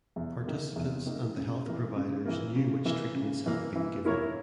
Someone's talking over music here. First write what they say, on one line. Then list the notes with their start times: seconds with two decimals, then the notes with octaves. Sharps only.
Participants and the health providers knew which treatments have been given.
0.16 E2
0.46 D#3 A#3
0.76 E2
1.06 D#3 A#3
1.36 C#3
1.66 E3 A#3
1.96 C#3
2.26 E3 A#3
2.56 C#3
2.85 E3 A#3
3.15 C#3
3.46 E3 A#3
3.76 E3
4.05 A#3 E4 A#4 C#5